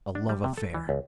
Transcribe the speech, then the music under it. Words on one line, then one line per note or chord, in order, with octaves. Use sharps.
A love affair!
D4
G3
C3
A4
E3
C#2